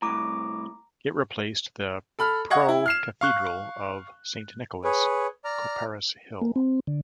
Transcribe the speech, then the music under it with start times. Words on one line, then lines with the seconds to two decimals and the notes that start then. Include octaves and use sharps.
It replaced the Pro-Cathedral of Saint Nicholas, Copperas Hill.
0.02 C2 F#2 A2 A#5 D6
2.19 A4 B5 F6
2.50 D#5 F5 F#5 C#6 G#6
2.69 E4
2.86 F6 C7 E7
3.21 F5 C#6 F#6
4.84 G#4 B4 C#5
5.45 D5 A#5 F6
6.41 A#3
6.56 C4
6.87 D3